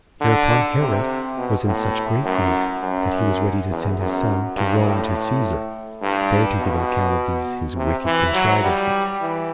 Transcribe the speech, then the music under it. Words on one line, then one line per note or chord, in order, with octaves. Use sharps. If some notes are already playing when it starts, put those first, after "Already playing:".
Hereupon Herod was in such great grief, that he was ready to send his son to Rome to Caesar, there to give an account of these his wicked contrivances.
D3
C3
B2
A2
F#2
F#2
E2
F#2
G2
A2
G2
B2
C3
E3
F#3
G3
E3